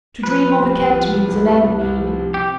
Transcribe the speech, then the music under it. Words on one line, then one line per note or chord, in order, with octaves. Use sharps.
To dream of a cat means an enemy.
F3 B4
F3
C2
C2
F3
C3
C2
C2
C2
C2
F3
C3
C3 G4